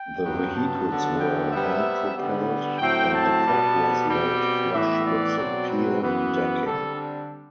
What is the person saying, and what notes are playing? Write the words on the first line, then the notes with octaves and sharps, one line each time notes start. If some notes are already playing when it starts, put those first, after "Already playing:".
The vehicles were hand-propelled, and the track was laid flush with the pier decking.
Already playing: G5
G2 F#3 B3
A5
D3 F#3 B3
G5
C3 G3 B3 E5
D3 G3 B3
A2 F#3 A3 C4 G5
A5
B2 G3 B3
B2 G3 C4 G5
A2 E3 B3 E5
D5
B2 F#3 C4
B4
F#2 E3 B3
B4
D3 G3 C4 A4
D4